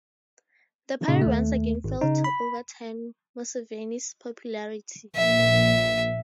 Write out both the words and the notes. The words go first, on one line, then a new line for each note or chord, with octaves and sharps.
The party once again failed to overturn Museveni's popularity.
A#2 C#3 D#4
D#2 A3
G#1
C#3 D#4
B5
A#1 E5